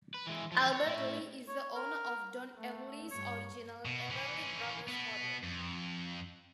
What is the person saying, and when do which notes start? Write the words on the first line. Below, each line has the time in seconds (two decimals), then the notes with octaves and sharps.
Albert Lee is the owner of Don Everly's original "Everly Brothers Model".
0.14 B4
0.27 E3 G#3
0.52 D3 F3
0.73 C#5
0.86 A3 E4
1.48 C#5
1.76 A#4
2.57 A3
3.11 G2 C#5
3.85 B2
4.10 E3 C#4
4.88 B2 B3
5.44 F2